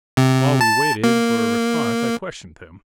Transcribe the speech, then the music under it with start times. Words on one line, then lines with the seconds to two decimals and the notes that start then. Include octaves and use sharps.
While we waited for a response I questioned him.
0.17 C3
0.61 A5
1.04 A#3